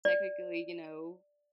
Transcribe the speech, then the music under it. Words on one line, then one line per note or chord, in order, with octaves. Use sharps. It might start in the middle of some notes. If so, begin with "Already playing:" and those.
technically, you know,
D5